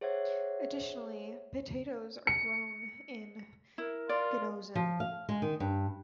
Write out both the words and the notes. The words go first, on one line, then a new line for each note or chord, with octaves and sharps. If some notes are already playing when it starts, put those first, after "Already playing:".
Additionally potatoes are grown in Ginozan.
G#4 C5 C#5 E5 F#5 G#6
C#7
E4 A#4
F4 D5
F3
F5
G#3
D#3
G2